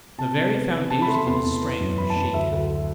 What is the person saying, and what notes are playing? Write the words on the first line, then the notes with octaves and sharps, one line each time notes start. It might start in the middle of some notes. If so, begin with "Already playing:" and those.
The very foundations of his strength were shaken.
C3 A5
C3
B3
C3
C3 A5
B5
A3 C6
B5
E2 C6
E2
E3
F#2
E3 B5
A5
F#2
D2 E5
D2